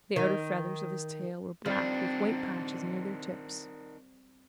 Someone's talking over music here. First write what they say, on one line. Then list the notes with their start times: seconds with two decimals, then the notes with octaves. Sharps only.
The outer feathers of his tail were black with white patches near their tips.
0.16 D#3
1.66 D#3 G3 C4 D4 F4